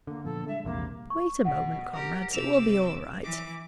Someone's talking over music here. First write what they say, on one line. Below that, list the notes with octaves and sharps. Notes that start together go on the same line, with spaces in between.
'Wait a moment, comrades, it will be all right.
D3 A#3
A#2 F3 B3 A4
G3 G#3 D4 E5
A#1 E2 C3 A#3
C#6
B2 F#5
G4 A#4
C3 D6 E6 F7
E3 D6